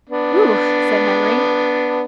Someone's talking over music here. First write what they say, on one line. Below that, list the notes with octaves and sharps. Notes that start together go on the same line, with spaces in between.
"Whew!" said Henry.
B3 D4